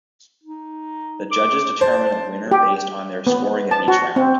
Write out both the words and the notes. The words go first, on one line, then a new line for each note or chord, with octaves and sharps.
The judges determine a winner based on their scoring of each round.
D#4
D6
C5 A5
G4
B3
A5
F#4
C4